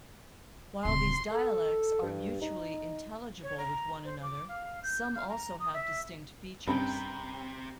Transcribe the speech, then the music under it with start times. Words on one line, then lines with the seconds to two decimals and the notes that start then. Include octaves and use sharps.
While these dialects are mutually intelligible with one another, some also have distinct features.
0.85 D1 C#3 C6
1.32 A4
2.03 G2
2.42 D#4
3.43 C#5
3.58 A#5
4.05 C5
4.23 D6
4.49 F5
4.83 G6
5.15 F5
5.29 A#5
5.60 D#6
5.74 E5
6.68 G2 C3 C4 C#4 G5 A#5 B5